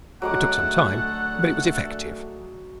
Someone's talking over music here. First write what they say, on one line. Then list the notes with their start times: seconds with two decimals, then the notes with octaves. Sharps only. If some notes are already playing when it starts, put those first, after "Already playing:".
It took some time, but it was effective.
0.22 D3 F#3 G#3 A3 A4 F#5 D6